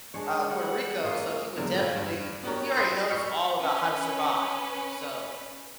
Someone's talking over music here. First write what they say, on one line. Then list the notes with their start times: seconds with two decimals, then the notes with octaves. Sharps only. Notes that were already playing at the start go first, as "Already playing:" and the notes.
um, Puerto Rico, so he would definitely he already knows all about how to survive, so,
0.14 G#3 D4 C#5
0.49 G3 F#5
1.04 A#3 C#4 F4 D#5 F5
1.55 E2 A#2 D3 F3 F#3 G#3
1.78 F1 B4 F5 G#6
1.95 G2
2.43 B3 D4 F#4 G4 A#4 C#5
2.76 B5 C6 D#6 F#6 A#6 C7
3.10 C#6 E6 F6 G6 B6 C#7
3.56 C#4 B4